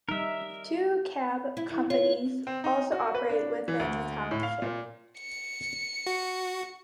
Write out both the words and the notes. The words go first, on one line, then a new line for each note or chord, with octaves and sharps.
Two cab companies also operate within the township.
G3 D#4 A#4 E5
E4
F4 C#5
C4
D#4
F#4
B4
D4
E3
D2
A2
F5
A#2
C#7
F#4